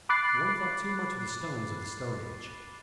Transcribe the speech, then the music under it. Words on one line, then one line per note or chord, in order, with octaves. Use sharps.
One thought too much of the stones of the Stone Age.
B5 D6 F#6 A6 C7